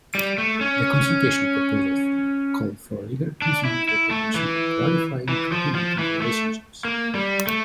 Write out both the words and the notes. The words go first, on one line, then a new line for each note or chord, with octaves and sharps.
The consultation proposals called for legal 'presumed' recognition of "qualifying" cohabiting relationships.
G3
A3
C#4
D4
E4
E4
A3
E3
E3
F3
F3
E3
A3
A#3
G3
A3